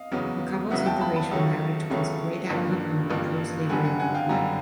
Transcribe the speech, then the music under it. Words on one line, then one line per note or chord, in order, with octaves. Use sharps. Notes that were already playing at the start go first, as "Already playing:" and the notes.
The couple's inter-racial marriage caused great anger from the pro-slavery lobby.
Already playing: D#5 F5
E2 C#3 F#3 B3
E2 C#3 F#3 B3 E5 F#5
G5 A5
A5 B5
A5 B5
C#2 C#3 F#3 A3 C#4
C#2 C#3 F#3 A3 C#4
A1 G2 D3 F3 A#3
A1 G2 D3 F3 A#3
G1 F#2 D3 G3 F#5 G#5
F#5 G#5
F#5 G#5
F5 G5
G1 F#2 D3 G3 G#5 A#5